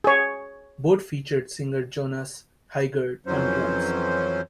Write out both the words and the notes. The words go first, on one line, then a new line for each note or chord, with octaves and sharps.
Both featured singer Jonas Heidgert on drums.
G#4 C#5
F2 E3 F#3 C#4 C5